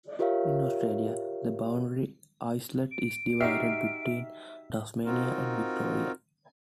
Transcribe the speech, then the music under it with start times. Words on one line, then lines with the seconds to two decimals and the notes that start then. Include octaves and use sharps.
In Australia, the Boundary Islet is divided between Tasmania and Victoria.
0.19 F4 G4 A#4 C#5 E5 F5
2.91 D7
3.41 D#4 F#4 G4 E5 F6 C7
5.06 C4 D#4 F4 F#4 A#4